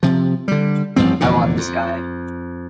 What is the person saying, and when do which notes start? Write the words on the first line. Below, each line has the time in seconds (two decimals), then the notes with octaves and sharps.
I want this guy.
0.03 C3 F3
0.48 D3 G3
0.96 A1 G2 F3 C4
1.20 F1 E2 A#2 D3
1.57 F2